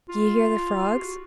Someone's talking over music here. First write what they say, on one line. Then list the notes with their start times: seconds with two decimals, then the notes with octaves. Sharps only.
"Do you hear the frogs?"
0.09 F4
0.95 G4
1.00 F#4